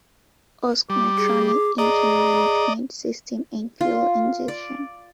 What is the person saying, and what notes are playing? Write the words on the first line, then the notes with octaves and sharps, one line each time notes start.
Bosch Motronic engine management system and fuel injection.
G3 D6
G#4
D6
G#4 D5 D#5 A#5
F4
D5